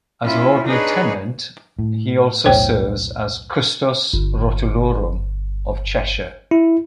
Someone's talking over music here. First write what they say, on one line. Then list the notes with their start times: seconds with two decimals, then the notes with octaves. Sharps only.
As Lord Lieutenant He also serves as Custos Rotulorum of Cheshire.
0.24 A#3 C#4 E4 F4
0.67 D4 D#4 G#4 B4 C#5 D#5
1.79 A2
2.46 B1 E2 A2 C5 C#5 G5
4.13 G1
6.51 E4